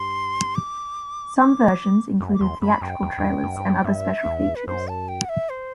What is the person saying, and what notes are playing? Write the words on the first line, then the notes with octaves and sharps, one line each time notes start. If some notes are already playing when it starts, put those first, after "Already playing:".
Some versions included theatrical trailers and other special features.
Already playing: G2 C6
D6
D6
F#2
D6
E2 C6
F#2 B5
F#2 G5
E2
E2
F#2
G2
F#2
G2 E5
E2
B4
F#2 C5
A5
G5
F#5
E5
C5